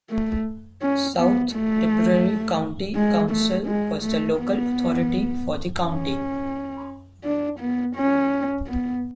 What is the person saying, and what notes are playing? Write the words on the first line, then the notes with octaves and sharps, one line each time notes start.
South Tipperary County Council was the local authority for the county.
A3
C#4
B3
A3
G#3
A3
G#3
A3
B3
C#4
D4
B3
C#4
B3